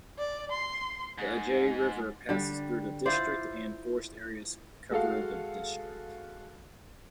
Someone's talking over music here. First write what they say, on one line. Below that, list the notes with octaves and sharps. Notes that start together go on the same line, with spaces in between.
The Ajay River passes through the district and forest areas cover the district.
D5
C6
G#2
D3 G3
E4 F4 C5 D5
G#3 F#4 A4 F5